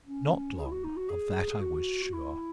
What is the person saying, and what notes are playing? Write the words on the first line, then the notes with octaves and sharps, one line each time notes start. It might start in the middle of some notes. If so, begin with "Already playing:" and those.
Not long; of that I was sure.
C#4
G#4
E4
F#4
D#4
F#4
G#4
G#4
F#4
F#4
E4